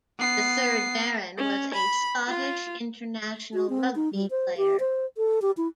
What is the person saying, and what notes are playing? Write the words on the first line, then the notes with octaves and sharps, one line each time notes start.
The third Baron was a Scottish international rugby player.
B3 C7
C#4
B5
F4
F#4
C4
D#4
G3
C5
G4
C5
A4
G4
E4